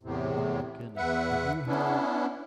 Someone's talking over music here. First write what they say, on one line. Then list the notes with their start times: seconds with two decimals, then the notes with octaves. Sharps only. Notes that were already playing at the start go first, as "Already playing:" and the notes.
Oh my goodness, have you heard
0.03 E2 A2 C3
0.97 E2 B4 E5 F#5
1.67 B3 C#4 D4 E4